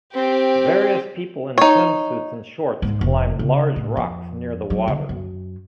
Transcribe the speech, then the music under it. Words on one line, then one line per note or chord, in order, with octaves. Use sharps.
Various people in swimsuits and shorts climb large rocks near the water.
C4 G4
D#4 C#5
G#2
F1
C#3
A2
F2
F#3
D3
F#2